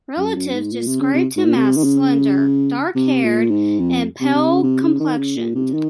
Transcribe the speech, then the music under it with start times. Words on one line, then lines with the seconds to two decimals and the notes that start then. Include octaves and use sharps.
Relatives described him as slender, dark-haired, and pale-complexioned.
0.18 F#2
0.36 F#2
0.54 G#2
0.73 A#2
0.87 C3
1.01 C#3
1.14 C3
1.36 G#2
1.46 A#2
1.56 C3
1.77 D#3
1.84 C#3
2.95 C3
3.24 A#2
3.51 G#2
3.79 F2
4.21 C3
4.35 C3
4.49 C#3
4.63 C3
4.81 C#3
5.00 D#3
5.18 C#3
5.36 A#2
5.55 C3
5.74 D#3